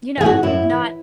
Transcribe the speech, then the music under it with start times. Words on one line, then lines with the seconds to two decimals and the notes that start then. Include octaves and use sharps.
you know, not
0.17 E3 G#4
0.26 F#4
0.43 F#2 E4
0.70 E3